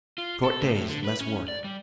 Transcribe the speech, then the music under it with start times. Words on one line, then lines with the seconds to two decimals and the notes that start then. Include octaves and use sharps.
Short days, less work.
0.18 F4
0.45 A4
0.61 A2
0.75 A2
0.88 D3
1.04 B4
1.21 C#4
1.48 D5
1.64 G3